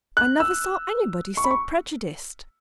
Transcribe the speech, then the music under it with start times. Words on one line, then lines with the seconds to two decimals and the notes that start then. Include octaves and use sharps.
I never saw anybody so prejudiced.'
0.17 F#6
0.40 E6
1.37 C#6
1.44 B5
1.51 C#6